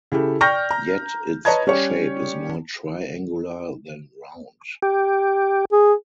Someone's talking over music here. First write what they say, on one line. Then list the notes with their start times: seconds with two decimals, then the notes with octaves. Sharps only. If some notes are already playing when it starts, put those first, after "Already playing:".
Yet its shape is more triangular than round.
0.12 C#3 E4 G4 A4
0.41 D5 G5 C#6 F6 G6 A#6
0.71 A#5
1.45 B4 C#5 D#5 A5 A#5 G#6
1.67 G3 C#4 G4 C#5
4.82 G4
5.72 G#4